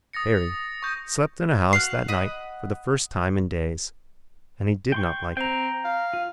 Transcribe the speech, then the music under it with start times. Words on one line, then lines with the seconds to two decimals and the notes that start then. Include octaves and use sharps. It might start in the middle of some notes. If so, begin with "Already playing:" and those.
Harry slept in a house that night for the first time in days, and he did not like it.
0.13 D#6 A6 A#6 C#7
0.82 C#6 G6 A#6
1.73 F#4 F5 F#6 C7
2.08 D#5 F#5 B5
4.92 G5 C6 C#6
5.37 C4 G5 A#5
5.85 F5
6.13 F4